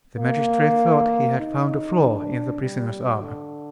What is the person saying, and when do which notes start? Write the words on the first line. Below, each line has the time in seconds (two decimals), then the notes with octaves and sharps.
The magistrate thought he had found a flaw in the prisoner's armor.
0.18 A#3
1.39 D#4
2.00 D4
2.60 G3
3.21 D3